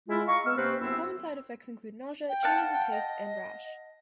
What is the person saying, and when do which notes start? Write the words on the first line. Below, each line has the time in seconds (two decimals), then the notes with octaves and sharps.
Common side effects include nausea, changes in taste, and rash.
0.09 G#3 E4 F4
0.27 D#5 F5 A#5 C#6
0.46 B3 E6 F6
0.57 C3 A#3 C4 C#4 B4 C5
0.81 F#2 B3 C4 E4 E6
2.29 G5
2.43 F5 F#5 A5
2.73 G5
2.92 D#5